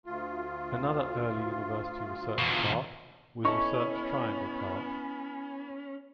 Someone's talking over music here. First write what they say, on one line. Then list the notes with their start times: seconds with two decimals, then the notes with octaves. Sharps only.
Another early university research park was Research Triangle Park.
0.06 D2 F4
2.39 E2 B2
3.45 B3 C#4 D#4 E4 A4 B5 C#6